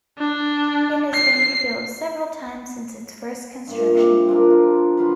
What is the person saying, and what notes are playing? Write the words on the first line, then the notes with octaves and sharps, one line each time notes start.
It has been rebuilt several times since its first construction.
D4
C7
G2 A#2
C3 G4
F3 D4 A#4
F4
D3 F#3 F4 B4